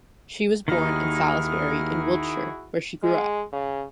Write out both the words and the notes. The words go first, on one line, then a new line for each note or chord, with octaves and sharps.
She was born in Salisbury in Wiltshire, where she grew up.
D#2 D#3 D#4 E4 F#4 G#4 F6
G#3
C#3